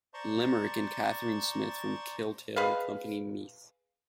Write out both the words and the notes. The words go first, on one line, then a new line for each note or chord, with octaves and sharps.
Limerick, and Catherine Smith from Kiltale, Company Meath.
C5 D5 A5 A#5 C6 C#6
G#4 B4 D#5 F5